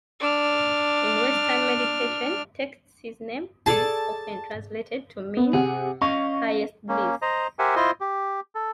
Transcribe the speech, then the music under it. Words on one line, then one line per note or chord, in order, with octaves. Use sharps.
In Western meditation texts his name is often translated to mean "Highest Bliss".
D4 F6
G#4 A4 D5 A5
B3
C3 G#4 F#5
C#4 D#5 F5 C#6
A#3 C#4
C5 D#5 A#5
G4 A#4 C5 E5 F#5 G#5
E4 F4 C5 D#5 C6
G4
A4